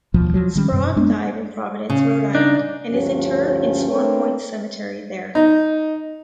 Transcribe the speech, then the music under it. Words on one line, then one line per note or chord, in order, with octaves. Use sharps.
Sprague died in Providence, Rhode Island, and is interred in Swan Point Cemetery there.
D#2 B2 F3
F3 F#3
D#3 G3 C#4
F#2 B2
G#3 A#3 B3 D4
C#3
D4 D#4
D2 G2 F3 C#4
A3 C4 D4 A#4 B4 C#5
D#4